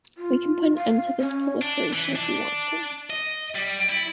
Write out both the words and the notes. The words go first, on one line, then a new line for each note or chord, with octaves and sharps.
We can put an end to this proliferation if we want to.
F4
F5
C#4
D4
E3
D4
D#5
G3
E4